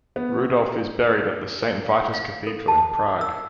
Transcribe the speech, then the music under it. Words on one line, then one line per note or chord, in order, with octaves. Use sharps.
Rudolph is buried at the Saint Vitus Cathedral in Prague.
B3
D5
F5
F5
A4
A5
E6